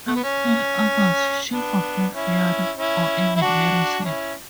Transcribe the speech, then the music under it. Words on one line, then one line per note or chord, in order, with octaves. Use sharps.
In still others she forgives Fionn, or even marries him.
A3
B3
C#4
B3 D4
C#4 E4
C#4 E4
E4
D4 F#4
D4
C#4 E4